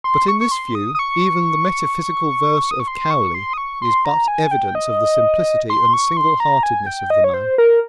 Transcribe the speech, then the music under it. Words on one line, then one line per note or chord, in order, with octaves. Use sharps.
But in this view even the "metaphysical verse" of Cowley is but evidence of the simplicity and single-heartedness of the man.
C6
C#6
C#6
C6
D#6
D#6
C#6
D#6
C#6
C6
C#6
C6
D#6
C#6
C6
A#5
G#5
G5
D#5
C6
C#6
C6
A#5
G#5
G5
D#5
C#5
C5
A#4